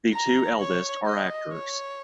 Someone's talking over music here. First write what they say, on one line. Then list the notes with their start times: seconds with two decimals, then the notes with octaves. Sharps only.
The two eldest are actors.
0.14 A#5
0.60 C#5
1.06 D#5
1.53 C#5